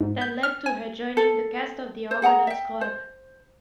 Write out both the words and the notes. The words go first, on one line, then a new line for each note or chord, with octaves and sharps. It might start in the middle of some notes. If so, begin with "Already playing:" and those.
That led to her joining the cast of the "Argonauts Club".
G#2
G6
F6
G#5
A4
C5
G#4 F#5 G#5 A#5
E5 G5
C5